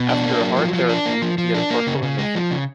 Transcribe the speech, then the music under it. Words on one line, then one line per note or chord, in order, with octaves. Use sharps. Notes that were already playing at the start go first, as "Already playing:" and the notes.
After a hard therapy, he had a partial remission.
Already playing: B2
D4
A#3
F#3
F3
F3
D4
A#3
F3
F3
D4
A#3
C#3
C#3
G#3
F3
C#3